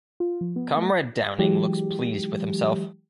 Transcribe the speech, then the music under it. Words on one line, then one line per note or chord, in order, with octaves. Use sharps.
Comrade Downing looks pleased with himself.
F4
F3
B3
A3
E3 F#3 G#3 G4